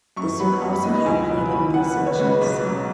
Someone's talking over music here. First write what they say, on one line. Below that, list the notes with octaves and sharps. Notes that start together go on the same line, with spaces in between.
The suit also had pleated knee sections.
F#2 C#6
F#3 B3 B5
F#2 C#6
B5
D#3 G#3 B3 D#5
D#5
C#2 G#5
B2 F#3 B3
D#2 B5
C#3 F#3 B3 F#5
D#2 B4
C#5
C#3 G#3 B3 B4
B1 B4
B2 F#3